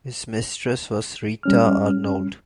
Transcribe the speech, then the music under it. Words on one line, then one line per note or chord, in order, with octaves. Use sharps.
His mistress was Rita Arnould.
G3 C#4 F6